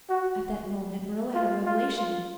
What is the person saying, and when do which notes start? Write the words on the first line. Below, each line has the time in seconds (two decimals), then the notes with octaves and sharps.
At that moment Marilla had a revelation.
0.09 F#4
1.34 F4
1.66 F4
1.96 F4